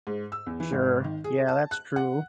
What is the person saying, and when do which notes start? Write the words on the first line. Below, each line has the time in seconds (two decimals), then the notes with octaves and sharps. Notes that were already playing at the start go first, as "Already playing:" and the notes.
Sure. Yeah, that's true.
0.07 G#2
0.32 E6
0.46 E2
0.60 E3
0.72 G#1
1.04 D#3
1.24 G#4
1.48 A5
1.71 F#6
1.96 F#5